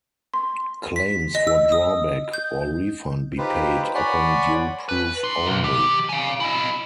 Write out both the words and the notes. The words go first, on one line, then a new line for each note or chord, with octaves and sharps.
Claims for drawback or refund be paid upon due proof only.
C6
B6
D#5
E6
D#6
G6
D#4 F4 G4 B4 C5
C#5 D5 F#5 G#5 B5 C6
B4
D#4 C6
B1
D#3 G4
F5 G#5
E4 D#5